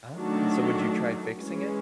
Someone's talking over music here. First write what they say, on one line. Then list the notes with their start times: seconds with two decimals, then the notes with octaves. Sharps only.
Oh, so would you try fixing it?
0.17 D#3 F#3 A3 D4 F#4
1.40 E3 G#3 C#4